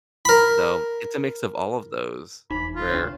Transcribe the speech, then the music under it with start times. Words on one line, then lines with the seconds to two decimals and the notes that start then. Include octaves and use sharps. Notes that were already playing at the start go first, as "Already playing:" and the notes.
So, it's a mix of all of those where
0.25 A#4 B5
2.51 F1 E2 D#4 B5
2.75 F4
2.89 D2 D4 C#5
3.03 C3